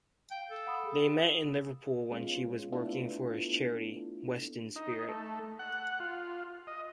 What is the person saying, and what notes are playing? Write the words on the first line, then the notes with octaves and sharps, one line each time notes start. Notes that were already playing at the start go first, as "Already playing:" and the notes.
They met in Liverpool when she was working for his charity, Weston Spirit.
F5 G5
A4
F#5 B5 D#6
G#4
G#3 B3 C#4 F4
A3 B3 D4 E4 F4 A4
D#4
A3
F#5
F4
D#5